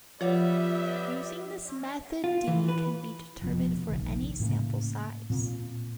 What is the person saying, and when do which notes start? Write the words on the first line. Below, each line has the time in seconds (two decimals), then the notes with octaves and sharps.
Using this method "D" can be determined for any sample size.
0.21 F3 G3 B3 F4 C#5 D5 E5 F#5
2.24 F4
2.48 E3
2.69 B4
3.42 F1 F2 B2
3.89 F1 A#1 D#3
4.40 A2 C#3 A#3
5.30 A#2 C4